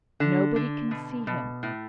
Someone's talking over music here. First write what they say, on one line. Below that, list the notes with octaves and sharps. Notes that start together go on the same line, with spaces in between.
Nobody can see him.
D3
D3
B2
B2
A2